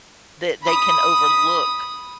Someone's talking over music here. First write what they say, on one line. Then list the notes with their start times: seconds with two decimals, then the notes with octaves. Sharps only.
that they can overlook,
0.62 B5 D#6